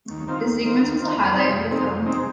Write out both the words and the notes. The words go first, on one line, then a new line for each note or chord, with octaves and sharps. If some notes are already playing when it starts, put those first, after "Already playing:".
The sequence was the highlight of the film.
D#2
D#3 C4 F4
D#2
D#3 C4 F4
D#2
D#3 C4 F4
F2
C3 G#3 C4 D#4
F2
C3 G#3 C4 D#4
F2
C3 G#3 C4 D#4